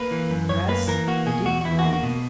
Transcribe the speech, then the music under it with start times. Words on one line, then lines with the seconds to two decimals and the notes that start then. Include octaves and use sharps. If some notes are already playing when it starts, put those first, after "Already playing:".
Dress--deep mourning.
Already playing: A#3 B4
0.11 E3
0.30 F#2
0.49 F#2 C#5
0.68 A#3 B4
0.87 E3 A#4
1.08 A#3 F#4
1.26 B2 G#4
1.45 E2 F#4
1.61 F#4
1.64 E2 E4
1.79 A#3 F#4
1.93 F#4
2.03 B2